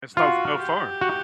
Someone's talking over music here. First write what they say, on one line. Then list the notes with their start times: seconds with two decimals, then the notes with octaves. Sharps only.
it's no f no fun.
0.16 F4 F#4
0.63 G4
1.01 F#4